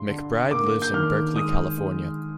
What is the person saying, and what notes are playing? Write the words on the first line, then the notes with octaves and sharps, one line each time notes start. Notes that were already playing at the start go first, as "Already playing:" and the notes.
McBride lives in Berkeley, California.
Already playing: G2 C6
D3
A#3 D6
G6
D#3 F6
G#3 D#6
G#3